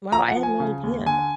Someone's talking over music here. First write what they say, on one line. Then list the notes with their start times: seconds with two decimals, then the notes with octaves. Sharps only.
Wow, I had no idea.
0.12 F3 A#5
0.29 F#5
0.36 F3
0.43 G#5
0.60 C#3
0.83 D#2
1.06 D3 G#5